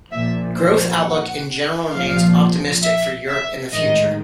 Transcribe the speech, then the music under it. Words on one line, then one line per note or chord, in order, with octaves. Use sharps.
Growth outlook in general remains opimistic for Europe in the future.
A#1 A#2 F3 E5
C5
F#5
C2 A#2 F3 F5
E5
E5
A1 G#2 D#3 D#5